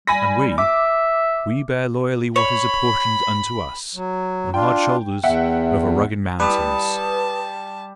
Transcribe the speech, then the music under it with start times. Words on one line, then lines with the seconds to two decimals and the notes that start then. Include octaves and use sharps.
And we--we bear loyally what is apportioned unto us, on hard shoulders, over rugged mountains!
0.07 G3 G#5 B5 A#6
0.58 E5 D6
2.36 C#5 B5
3.95 F#3
4.54 D4 F4 G5
5.23 E2 E5 F#5 G5
6.40 G3 B4 A5 D#6